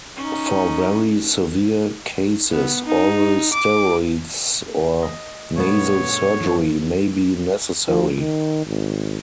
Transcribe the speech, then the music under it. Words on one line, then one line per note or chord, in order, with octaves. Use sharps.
For very severe cases, oral steroids or nasal surgery may be necessary.
C#4 D#4
B3
D#4
D6
D#5
G2 B2 G3 A3 B3 C#5
E3 F3
F3
D#3
G#1